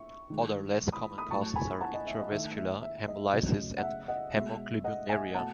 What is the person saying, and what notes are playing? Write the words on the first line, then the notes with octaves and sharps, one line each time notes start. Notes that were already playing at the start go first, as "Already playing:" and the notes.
Other less common causes are intravascular hemolysis and hemoglobinuria.
Already playing: E5 C#6
D#3 G#3
B5 D#6
B5 D#6
A2 F#3 A3 A5 C#6
G#5 B5
F#5 A5
D#5
E5
D#5
D#3 A3 E5
E5
E5
D#5
C#3 F#3 A3
F#5
E5
D#5 F#5
B2 G#3 E5
D#5 F#5
E5 G#5
B2 A3 F#5 A5